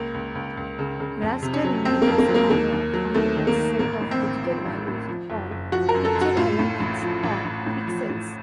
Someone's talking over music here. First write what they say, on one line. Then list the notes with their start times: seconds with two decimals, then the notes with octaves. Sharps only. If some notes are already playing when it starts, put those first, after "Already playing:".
Raster images have a finite set of digital values, called "picture elements" or pixels.
Already playing: C#2 A#3
0.14 C#2
0.35 C#2
0.57 C#2
0.79 C#3
1.00 C#3
1.22 F2
1.42 C3
1.53 C#4
1.64 F#3
1.85 F2 C4
2.02 A#3
2.07 F2
2.18 A#3
2.29 F#3
2.35 A#3
2.50 D#2 A#3
2.72 D#2
2.93 F#3
3.14 D#2 A3
3.37 D#3
3.47 A#3
3.58 D#3
3.79 A1 A#3
4.00 A2
4.11 C4
4.22 A1
4.44 F3
4.65 A1
4.87 A2
5.08 F3
5.30 F#1
5.51 F#1
5.72 F3 F#4
5.89 A#4
5.94 F#2
6.05 A4
6.15 F#2
6.21 F#4
6.37 A2 F4
6.59 A2
6.80 A1
7.02 F3
7.23 A1
7.44 A1
7.66 A2
7.87 F3
8.09 A2